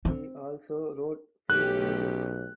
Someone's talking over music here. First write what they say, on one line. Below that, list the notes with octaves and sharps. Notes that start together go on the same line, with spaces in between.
He also wrote film music.
C4
B1 A3 C#4 G4 F#6